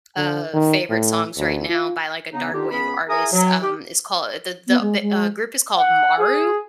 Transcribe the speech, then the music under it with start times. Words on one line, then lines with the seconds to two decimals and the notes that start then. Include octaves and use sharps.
uh, favorite songs right now by, like, a dark wave artist, um, is called the the the, uh, group is called Maru.
0.17 D3
0.54 D#3
0.90 A2
1.38 D2
1.69 F4
2.33 C#3 B3 D#4
2.53 D3 D#3 D#4 F4 G4
2.71 C#2 B3 C#4 G#4 B5
3.09 E4 G#4 A#4 G#5 A#5 D#6
3.33 F#3
3.63 G4
4.68 B3
4.81 G#3
5.02 G#3
5.77 F#5
6.19 G#4